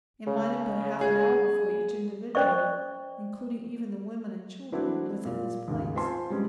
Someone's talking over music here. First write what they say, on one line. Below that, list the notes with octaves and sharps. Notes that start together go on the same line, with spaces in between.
It might have been half an hour before each individual, including even the women and children, was in his place.
C#3
G#4
C#4 C5 D5 D#5 C#6
E3 A3 C4 D4 E4 F#4
A#2
D#2 G#2 C#3
C4 F4 C5 G#5 A5 C6
G3 G#3 C#4